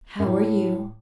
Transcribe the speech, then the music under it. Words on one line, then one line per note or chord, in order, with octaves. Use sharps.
"How are you?"
F#2
A2